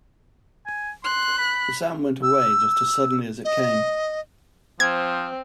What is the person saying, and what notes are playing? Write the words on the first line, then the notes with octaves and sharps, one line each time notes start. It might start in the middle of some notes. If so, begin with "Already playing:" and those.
The sound went away just as suddenly as it came.
G#5
C6 F#6
B5
E6
D#5
F3 C4 G#6